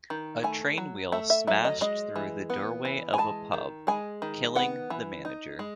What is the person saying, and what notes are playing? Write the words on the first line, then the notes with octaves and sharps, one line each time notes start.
A train wheel smashed through the doorway of a pub, killing the manager.
D#3
A3 G#5
F#3
A3 E5
E5
F#3 E5
D#5
G#3 D#5
E3
B3
E3
G#5
G#3 A5
D#3
G#3 G#5
D#3
B3 F#5
E3
D#4
G#3